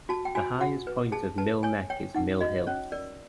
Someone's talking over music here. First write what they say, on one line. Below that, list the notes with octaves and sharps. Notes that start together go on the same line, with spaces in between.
The highest point of Mill Neck is Mill Hill.
F#4 A5
G5
F#4 G#5
F#4 F#5
B4
G#4 A5
B4 A5
C#5 G#5
C#5 G5
D#4 F#5
F#4 D#5
C#4 C#5
A#4 D5